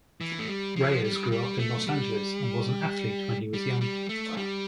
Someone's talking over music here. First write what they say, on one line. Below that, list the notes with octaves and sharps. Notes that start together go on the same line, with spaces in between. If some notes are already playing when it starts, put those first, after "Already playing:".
Reyes grew up in Los Angeles and was an athlete when he was young.
E3
A3
G3
F3
G3
G3
A3
G3
G3
G3
A3
G3